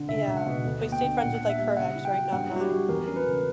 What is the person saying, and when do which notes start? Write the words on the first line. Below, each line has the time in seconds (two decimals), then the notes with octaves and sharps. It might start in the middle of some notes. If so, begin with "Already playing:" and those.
Yeah. But you stayed friends with, like, her ex, right? Not mine?
Already playing: D3
0.08 C#2 E5
0.28 C#2
0.37 F#5
0.46 B2
0.65 D2
0.84 A#3
0.92 G5
1.02 D3
1.21 A#2 F#5
1.40 D4
1.49 E5
1.58 G3
1.76 C#3 F#5
1.95 E4
2.05 G5
2.13 F#3
2.32 G2 F#5
2.51 E4
2.56 F#4
2.61 G4
2.70 F#3
2.89 E2 A#4
3.08 C#4 A#4
3.16 B4
3.26 C#3